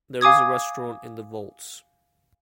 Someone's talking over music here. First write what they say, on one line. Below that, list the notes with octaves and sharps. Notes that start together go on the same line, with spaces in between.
There is a restaurant in the vaults.
F5 G#5 D6 D#6 G#6